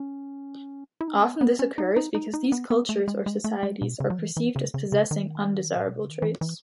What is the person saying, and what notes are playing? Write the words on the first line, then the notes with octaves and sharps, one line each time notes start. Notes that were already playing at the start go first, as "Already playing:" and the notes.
Often this occurs because these cultures or societies are perceived as possessing "undesirable" traits.
Already playing: C#4
E4
D#4
C#4
B3
B3
C#4
D#4
D#4
D#4
D#4
B3
B3
A3
G#3
G#3
A3
G#3
B2
C#3
F#3
E3
E3
C#3
C#3
C#3
D#3
A2
B2
C#3
D#3
E3
E3